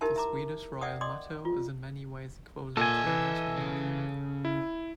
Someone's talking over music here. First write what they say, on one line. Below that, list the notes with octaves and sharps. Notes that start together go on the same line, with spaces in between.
The Swedish royal motto is in many ways equivalent to a national motto.
D#4 E4 G4 A#4 E5 A5
E5 A#5 D6
D5 E5 F#5 G5 D#6
D5 D#5 C6 D6 D#6
F4
A#2 A4 D#5 E5 G#5
E3
C#3
E4